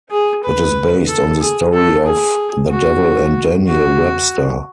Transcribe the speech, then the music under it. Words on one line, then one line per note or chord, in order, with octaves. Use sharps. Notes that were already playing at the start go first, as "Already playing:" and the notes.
It is based on the story of "The Devil and Daniel Webster".
G#4
B4
A4
G#4
A4
G#4
F#4
F#4